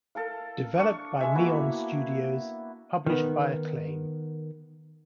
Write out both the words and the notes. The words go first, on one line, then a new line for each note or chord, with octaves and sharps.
Developed by Neon Studios, published by Acclaim.
A4 A#4 F5
D4 C#6
G#3 E5
A#3 B3 E4 F#4
D#3 B3